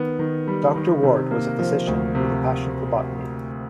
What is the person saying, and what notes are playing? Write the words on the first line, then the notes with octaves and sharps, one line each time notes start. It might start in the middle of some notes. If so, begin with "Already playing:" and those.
Doctor Ward was a physician with a passion for botany.
Already playing: D#3 B3
D#3
G3
D#3
C3
A#3
F3
D2
C3